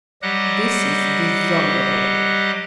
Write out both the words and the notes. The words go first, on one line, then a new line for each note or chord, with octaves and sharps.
This is dishonourable!
F#3 G3 G4 D#5 F#5 F#6